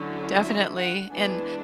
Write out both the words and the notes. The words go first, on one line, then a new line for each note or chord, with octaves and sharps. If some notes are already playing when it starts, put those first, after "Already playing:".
Definitely, and
Already playing: D3 F#3 C#4 E4
E5
F#5
E3 G#3 B3 D4 G#5